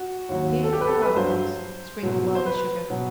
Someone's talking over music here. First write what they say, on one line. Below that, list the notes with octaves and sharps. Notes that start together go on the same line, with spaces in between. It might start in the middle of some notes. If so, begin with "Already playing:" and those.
Peel and core apples; sprinkle well with sugar.
Already playing: F#4
D#2 D#3 F#3
A4
G4
B4
A4
B4
G2 F#3 C5
C2 B2 F#3
C5
B4
B2 F#3